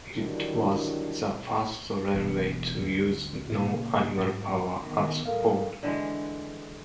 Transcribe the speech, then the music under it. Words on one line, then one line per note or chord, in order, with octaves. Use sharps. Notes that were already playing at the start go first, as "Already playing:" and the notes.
It was the first railway to use no animal power at all.
D3 D#3 F#3 G3 D4 E4
E1
D2
A#2 C#3
G#2
D#3 B3
A2 G3 A4 A#4 F5
D3 E3 G#3